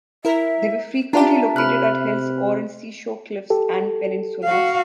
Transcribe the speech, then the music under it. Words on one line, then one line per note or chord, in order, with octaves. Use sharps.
They were frequently located at hills, or in seashore cliffs and peninsulas.
E4 A#4 E5
D4 F4 G4 B4 E5 A5 A#5
C3 B5 F6 F#6
G4 A4
F#4 F5